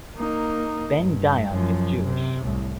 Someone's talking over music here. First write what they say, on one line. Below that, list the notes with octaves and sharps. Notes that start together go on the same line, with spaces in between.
Ben Dayan is Jewish.
A#3 D#4
G2
F#2 F3
C3
C2 A2